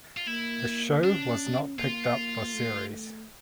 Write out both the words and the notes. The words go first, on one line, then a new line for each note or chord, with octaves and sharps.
The show was not picked up for series.
F4
A#3 E4
C#4 D4
A#3 F4
A3